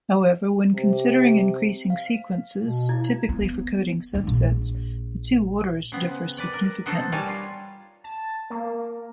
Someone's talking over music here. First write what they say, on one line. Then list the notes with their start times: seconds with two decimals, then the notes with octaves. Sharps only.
However, when considering increasing sequences, typically for coding subsets, the two orders differ significantly.
0.75 C3
1.90 F5
2.59 B2
2.89 E4 G#6
3.29 B3
4.14 D#3 D#4
4.27 A#1
5.92 C#3 B3 C4
6.37 A#4 B4 D5 F#5
6.54 A#4
6.86 B3 D#4 F#4 A4 C5
7.12 G3 A#4 C#5 G#5 A5
7.29 F4
8.04 A5
8.50 A#3